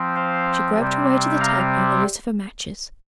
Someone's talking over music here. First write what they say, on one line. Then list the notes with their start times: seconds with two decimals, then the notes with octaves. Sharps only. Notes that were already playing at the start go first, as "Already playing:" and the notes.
She groped her way to the taper and the lucifer matches.
Already playing: F3 C4
0.16 C5 F5
0.78 C3 G3 C4
1.41 F5 A#5